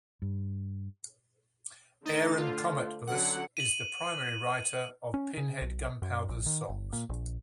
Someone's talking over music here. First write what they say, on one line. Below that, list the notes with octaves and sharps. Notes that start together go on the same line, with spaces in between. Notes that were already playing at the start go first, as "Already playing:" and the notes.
Aaron Cometbus is the primary writer of Pinhead Gunpowder's songs.
G2
D3 A3 D#4 C5 A6
F4
D3 F#3 C#4 F#5
D#7 F#7
C#4
C#3
B1
F#2
A#1
D#3
G1
A#2
A#1